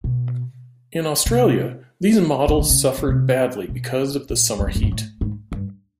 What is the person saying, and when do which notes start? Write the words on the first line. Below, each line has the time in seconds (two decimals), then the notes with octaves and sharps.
In Australia, these models suffered badly because of the summer heat.
0.04 B2
1.26 C3
2.48 C#3
2.59 D3
2.70 C#3
2.98 C#3
3.08 C3
3.69 B2
4.30 A#2
4.59 F2
4.67 F#2
4.75 G2
4.83 G#2
4.92 A2
5.21 G#2
5.52 G2